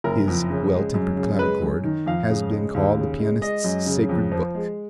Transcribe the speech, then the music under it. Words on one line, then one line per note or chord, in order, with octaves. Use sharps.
His "Well Tempered Clavichord" has been called the pianist's Sacred Book.
F#1 A#4
F2
C#3
G#3
F#2
C#3
G#3 B4
F#2
D#3
F2 F5
C#3
G#3
D#2
C#3
G#3
G#3 D#5
F#2
C#3
F2
F3
G#3